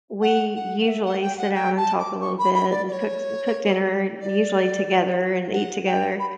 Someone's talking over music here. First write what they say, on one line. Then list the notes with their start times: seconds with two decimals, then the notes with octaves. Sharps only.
we usually sit down and talk a little bit and cooks cook dinner usually together and eat together.
0.21 F#5
0.55 F#5
0.80 F#5
0.88 E5
1.05 F#5
1.21 G5
1.38 F#5
1.54 G5
1.77 A5
1.99 D6
2.21 C#6
2.38 B5
2.54 B5
2.70 D5
2.87 D5
2.92 C#5
4.20 D5
5.52 F#5
5.86 G5
6.19 B5